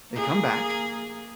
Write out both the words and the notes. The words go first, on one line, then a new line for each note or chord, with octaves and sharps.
they come back,
A#3 G#4